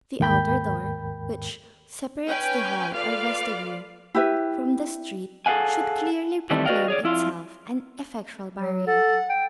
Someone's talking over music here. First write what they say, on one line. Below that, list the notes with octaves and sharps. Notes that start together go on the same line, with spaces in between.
The outer door, which separates the hall or vestibule from the street, should clearly proclaim itself an effectual barrier.
D#2 G#2 A#4 G5 B5 G6
C#4 B4 G5 G#5
F4 A4 B4 D5 F5
E4 G4 B4 E5
G#4 A4 B4 F5 F#5 G#5
D#3 E3 G3 A3 C4
F#4 B4 D5 D#5 F5 G5
G#4 C#5 D5
F2 E4 F4
F#3
A4 F#5
G5